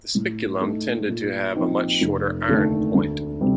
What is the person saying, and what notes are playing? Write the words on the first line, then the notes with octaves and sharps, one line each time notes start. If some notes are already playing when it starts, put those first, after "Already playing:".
The spiculum tended to have a much shorter iron point.
A2
A3 D#4
A#2
F3 C4 D#4
F1
D#2 D3 A3
D2
C3 G3 C4